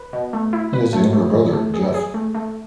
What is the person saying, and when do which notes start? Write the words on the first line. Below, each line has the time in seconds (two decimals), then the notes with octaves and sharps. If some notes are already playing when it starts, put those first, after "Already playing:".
He has a younger brother, Jeff.
Already playing: B4
0.13 B2
0.33 A3
0.53 E4
0.73 B4
0.93 A3
1.13 A3
1.34 E3
1.53 A3
1.74 G#4
1.94 G#4
2.14 A3
2.35 A3